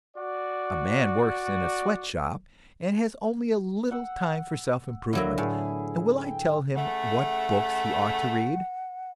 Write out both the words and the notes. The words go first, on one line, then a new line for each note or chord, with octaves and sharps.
A man works in a sweatshop, and has only a little time for self-improvement, and will I tell him what books he ought to read?
F#4 D5
F#5 E6
D3 F#3 A#3 E4 B4
A2 G#4
G5
C#3 A3 F#5